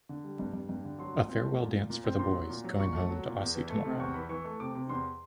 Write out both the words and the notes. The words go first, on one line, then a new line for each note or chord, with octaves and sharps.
A farewell dance for the boys going home to Aussie tomorrow.
D3
G3
G2
G2
G2
D3
F#3 C6
A#2
C4
A3
A#2
A#2
A#2
C4
A#2 C6
F#3
A#2
F#3
A#2 C#6
A3
F#3
A#2
E2
E3
A3
C3
E2 C#6
E3 B5
E3 C#6
A3 C#6
C3 D6
C3
E2 C6